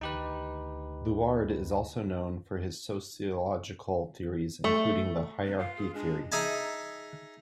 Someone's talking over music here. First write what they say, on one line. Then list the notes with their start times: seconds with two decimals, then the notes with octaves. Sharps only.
Luard is also known for his sociological theories including the hierarchy theory.
0.01 D2 D#3 D#4 G4 B4
4.64 A3
5.46 C3 B4
5.59 F4 F5
5.77 G#4
5.94 G#3 D4
6.32 D#4 G#4 E5 G#5 A5